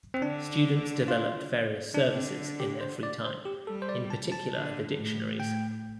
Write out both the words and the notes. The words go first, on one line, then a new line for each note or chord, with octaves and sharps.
Students developed various services in their free time, in particular the dictionaries.
C4
D3 D4
F4
D3 D4
C4
G4
C5
D5
C5
G4
G3 A4
C5
D5
A5
A5
D3
A2
A2 G5